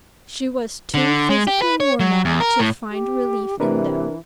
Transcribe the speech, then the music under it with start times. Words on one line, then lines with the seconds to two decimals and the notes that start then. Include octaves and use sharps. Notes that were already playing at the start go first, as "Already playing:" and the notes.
She was too physically worn out to find relief in them.
0.94 D3
1.30 G#3
1.47 G4
1.62 B4
1.80 C#5
2.00 F#3
2.25 E2
2.40 A#4
2.59 A2
2.91 G4
3.60 C3 E3 D4 A#4 B4